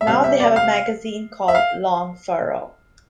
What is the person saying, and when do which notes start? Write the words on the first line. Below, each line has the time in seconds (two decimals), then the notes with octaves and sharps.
Now they have a magazine called "Long Furrow".
0.01 E5
0.07 C3 G3 C4 F5
0.24 E5
0.40 D5
0.56 F5
1.48 E5
1.55 F5